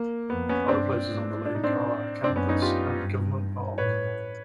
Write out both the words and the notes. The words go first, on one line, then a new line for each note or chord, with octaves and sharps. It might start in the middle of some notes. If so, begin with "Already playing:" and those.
Other places on the lake are Acanthus and Government Park.
Already playing: A#3
F2 B3
B3 C#4
G2 C4 D4
G#2
A2 D4
D#4
C4 D4
F#2 C4 D4
B3 C#4
C#4 D#4
F4 G4
G2
A2 B4 C#5